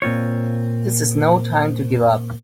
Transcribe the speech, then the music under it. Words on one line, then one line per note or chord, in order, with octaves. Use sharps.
This is no time to give up!
A#2 C4 F4 C#5